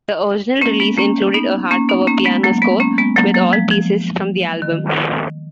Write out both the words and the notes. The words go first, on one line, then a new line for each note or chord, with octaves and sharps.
The original release included a hard-cover piano score with all pieces from the album.
A#3 C#4
G#3 B3
A#3 C#4
B3 D#4
A#3 C#4
B3 D#4
A#3 C#4
G#3 B3
F#3 A#3
G#3 B3
A#3 C#4
G#3 B3
F#3 A#3
F#3 A#3
F3 G#3
F3
D#3